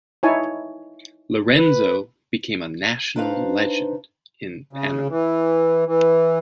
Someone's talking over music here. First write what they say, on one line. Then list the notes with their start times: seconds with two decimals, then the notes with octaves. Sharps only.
Lorenzo became a national legend in Panama.
0.23 D#4 E4 C#5 G#5 A5
1.56 B4
3.16 D4 D#4 B4 C5 F5
4.73 C#3
5.10 E3
5.87 E3